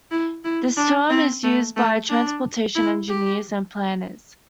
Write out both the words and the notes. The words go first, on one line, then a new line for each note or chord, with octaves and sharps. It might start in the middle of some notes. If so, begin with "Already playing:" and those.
This term is used by transportation engineers and planners.
E4
E4
D4
C4
A3
A3
D4
E4
G4